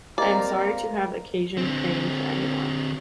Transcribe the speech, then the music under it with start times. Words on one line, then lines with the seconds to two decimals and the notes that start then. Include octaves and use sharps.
I am sorry to have occasioned pain to anyone.
0.18 A#3 C4 G4 D5 D#5 A#5
1.58 D3 C4